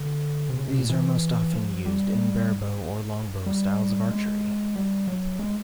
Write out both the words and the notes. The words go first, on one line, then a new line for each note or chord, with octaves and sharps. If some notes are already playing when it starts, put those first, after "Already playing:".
These are most often used in barebow or longbow styles of archery.
Already playing: D3
C3
C#3
C3
A#2
E3
F3
G3
G3
G#3
G3
F#3
G#3